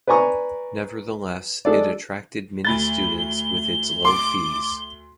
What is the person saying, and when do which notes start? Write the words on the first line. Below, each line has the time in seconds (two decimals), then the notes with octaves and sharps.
Nevertheless, it attracted many students with its low fees.
0.07 B4 D5 G#5 A#5 C#6
1.65 G#3 D4 A4 D5
2.65 D2 B5 A6 G7
4.05 C6 D6